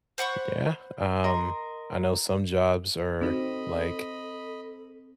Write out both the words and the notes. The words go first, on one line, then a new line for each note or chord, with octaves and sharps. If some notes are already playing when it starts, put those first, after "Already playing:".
Yeah, um, I know some jobs are, like
C5 F#5 B5 C#6
A#4 D#5 C6
C4 D#4 F#4 A4 D#5 B5